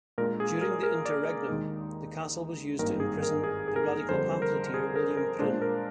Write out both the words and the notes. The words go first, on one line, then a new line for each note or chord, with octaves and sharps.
During the interregnum, the castle was used to imprison the radical pamphleteer William Prynne.
A#2 G#3 D4 A#4
G#4
A#4
A#4
D5
D#2 D#3 G#3 D#4
G#1 G2 D#3 A#3 A#4
G#4
A#4
G#4
G#4
A#4
F2 D3 G3 C5
A#4
G#4
A#4
A#4
A#2 G#3 D4 C5
A#4